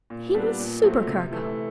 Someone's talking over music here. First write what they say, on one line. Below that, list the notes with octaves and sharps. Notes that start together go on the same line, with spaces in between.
"He was supercargo."
A#2
G3 B3 D4
A#2
F#3 A3 C4
C3
E3 A3